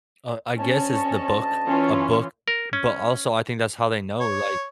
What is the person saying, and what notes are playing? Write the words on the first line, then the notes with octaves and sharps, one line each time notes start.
Uh, I guess it's the book a book, but also I think that's how they know, like
D2 C#4 D#5 A5
E3 C#4 F4
A#4
C#4
C#5